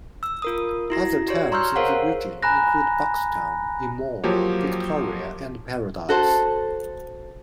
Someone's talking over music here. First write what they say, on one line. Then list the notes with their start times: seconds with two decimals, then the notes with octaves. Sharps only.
Other towns in the region include Buxton, Enmore, Victoria and Paradise.
0.23 E6
0.42 F4 A#4 D#6
0.90 E4 F#4 A#6
1.28 F#4 G4 C#5 D5
1.52 A#5 C6 C#6 E6 F6 G6
1.76 G#4 A#4 C5 C#5 F5 F#5
2.43 G#5 A#5 B5 F#6 A#6
4.24 F3 F#3 A#3 G4 C#5
6.09 F#4 A4 C5